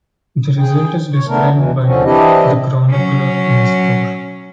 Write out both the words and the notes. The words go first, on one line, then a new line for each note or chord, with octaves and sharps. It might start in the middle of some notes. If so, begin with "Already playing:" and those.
The result is described by the chronicler Nestor.
G#4 G5
C#5
A3 B3 D4 A#4
E2 B2 E3
D#2 D3 F3 C4 C#4
E3 C4 D4 E4 G4 D#5
F#3 C#4